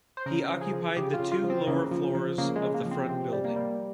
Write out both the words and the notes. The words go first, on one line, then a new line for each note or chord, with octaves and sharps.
He occupied the two lower floors of the front building.
C5
C#3 A#4
F3
G#4
F3
C#3 G4
F4
C#3
F4
F3
C4
C#3 A#3
F3
F3
C#3 A#3
G#3
C#3
A#3
F3
C4
C3 C4
G3
A#3
G3